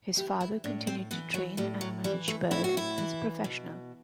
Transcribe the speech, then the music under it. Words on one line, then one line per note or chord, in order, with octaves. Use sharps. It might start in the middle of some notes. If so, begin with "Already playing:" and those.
His father continued to train and manage Byrd as a professional.
E3 G4
E4
A2 D4
C4
E3 B3
F#3
A2 G3
F#3
E3 G3
A3
A2 E4
F#4
E4
E3
B2